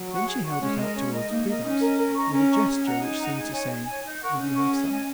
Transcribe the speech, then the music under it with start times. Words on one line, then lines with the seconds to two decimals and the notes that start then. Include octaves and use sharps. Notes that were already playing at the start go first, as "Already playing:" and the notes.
Then she held it out toward Prudence, with a gesture which seemed to say, "Will you have some?"
Already playing: F#3
0.10 F#5 C#6
0.26 G#4
0.43 F#5 C#6
0.61 G#3 C#4
0.77 A#4 D#5
0.94 C#4
1.11 A#4 D#5
1.29 A#3 D#4
1.46 A#4 D#5
1.63 C#4 D#4
1.80 A#4 D#5
1.97 A#4
2.14 D#5 A#5 C#6
2.31 C#4 A#4
2.49 D#5 A#5 C#6
2.66 G#4
2.83 D#5 F#5 A#5
3.00 D#4 G#4
3.17 D#5 F#5 A#5
3.34 G#4
3.51 C#5 G#5
3.68 G#4
3.85 C#5 G#5
4.02 D#4
4.20 A#4 F#5 C#6
4.37 C#4 D#4
4.54 A#4 F#5 C#6
4.71 G#4
4.89 D#5 G#5